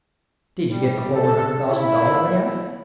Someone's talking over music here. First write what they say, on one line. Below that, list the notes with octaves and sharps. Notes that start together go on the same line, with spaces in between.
"Did you get the full one hundred thousand dollars?" I asked.
G3
A4
E4